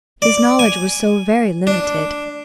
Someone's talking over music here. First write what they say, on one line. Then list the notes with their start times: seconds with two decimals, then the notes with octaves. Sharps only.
His knowledge was so very limited.
0.22 D5
0.59 G#5
1.67 D4